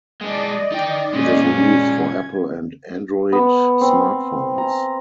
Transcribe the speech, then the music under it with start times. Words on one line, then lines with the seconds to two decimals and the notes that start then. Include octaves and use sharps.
It is released for Apple and Android smartphones.
0.21 G#3 D4 D5 D#5
0.72 D#4 G5
1.13 A#2 G#3 C#4
1.86 G#6
3.32 B3
3.81 C4
4.58 A#5